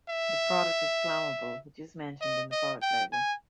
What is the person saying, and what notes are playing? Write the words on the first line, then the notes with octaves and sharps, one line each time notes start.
The product is flammable, which is mentioned in the product label.
E5
D#5
D#5
G5
G#5